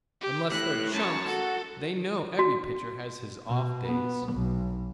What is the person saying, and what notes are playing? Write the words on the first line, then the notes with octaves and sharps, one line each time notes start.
Unless they're chumps, they know every pitcher has his off days.
G4
A3 E4 F#6
F#2 C#5 A5
F#4 A4
F#4
B2
B3
B1